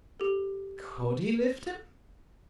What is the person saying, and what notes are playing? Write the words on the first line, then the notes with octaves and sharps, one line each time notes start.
Could he lift him?
G4 A4